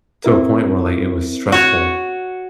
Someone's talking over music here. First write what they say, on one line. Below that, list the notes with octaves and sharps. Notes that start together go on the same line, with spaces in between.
to a point where, like, it was stressful,
C4 E4 A#4
F#4 C#5